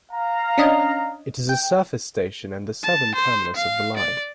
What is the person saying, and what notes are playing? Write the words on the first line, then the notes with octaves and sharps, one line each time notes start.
It is a surface station and the southern terminus of the line.
F5 A#5
C#4 D4 D#5
G5
A5
C5
F5
D5